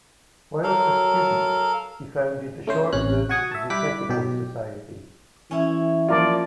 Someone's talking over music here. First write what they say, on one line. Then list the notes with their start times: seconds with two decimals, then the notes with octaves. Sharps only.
Whilst a student he founded the short-lived Zetetical Society.
0.64 F#3 A4 A#4 F5
2.67 A3 C#4 C5
2.93 A1 C3 C#4 F#6
3.29 F#4 F#5 G#5 C#6 D#6
3.51 E5 A5
3.70 G3 E4 G4 D6 F#6 B6
4.09 B2 F#3 G4
5.51 E3 C#4 E4
6.08 F3 A#3 F4 D5